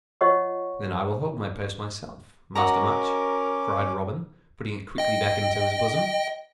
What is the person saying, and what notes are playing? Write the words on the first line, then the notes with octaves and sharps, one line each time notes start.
"Then I will hold my purse myself, Master Much," cried Robin, putting it quickly back into his bosom.
F4 C#5 D#5 F#5 C#6
C#4 F#4 A#4 D#5 A#5 D6
D#5 G5